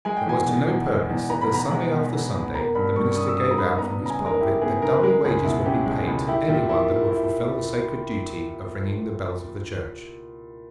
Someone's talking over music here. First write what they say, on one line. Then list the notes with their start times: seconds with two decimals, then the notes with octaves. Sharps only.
It was to no purpose that Sunday after Sunday the minister gave out from his pulpit that double wages would be paid to anyone that would fulfil the sacred duty of ringing the bells of the church.
0.05 G#3 G#5
0.17 G5
0.26 E2 G#5
0.47 B2
0.68 E2
0.88 G#3
1.09 E2
1.30 B3 A#5
1.41 B5
1.51 B2 A#5
1.71 G#3
1.92 B2
2.12 B3
2.34 B2
2.55 A#3 A#5
2.75 G2 B5
2.95 G3 C#6
3.11 C#6
3.16 C#4 D#6
3.28 E6
3.37 A#3 D#6
3.51 A#5
3.58 G2 B5
3.78 B3 A#5
4.00 C#3
4.06 A#5
4.10 G#5
4.20 G#3
4.26 A#4
4.41 E4 G4
4.62 B3 G#4
4.82 C#3 A#4
4.94 B4
5.03 G#3 A#4
5.24 C#2 G#4
5.44 B2 E4
5.65 C#4 G4
5.86 G#3
6.07 C#2
6.27 E4 G4
6.48 A#2 G4
6.69 A#3 E4
6.90 A#2
7.11 E4